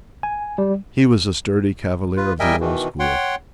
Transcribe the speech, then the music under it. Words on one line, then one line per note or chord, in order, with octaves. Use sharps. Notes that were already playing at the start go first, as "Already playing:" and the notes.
He was a sturdy Cavalier of the old school.
G#5
G3
F4 B4
G3 A#4 D#5 E5 G5 G#5
B2 D#3 E3
C#5 F#5 G5 C6